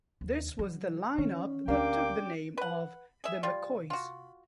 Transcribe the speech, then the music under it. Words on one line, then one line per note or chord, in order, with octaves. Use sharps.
This was the line-up that took the name of "The McCoys".
D#2
F#3
D#3 C#4
D2 A#3 D4 G4 G5 D6
B4 F#5
G#4 E5
G3 F4
F4 F#4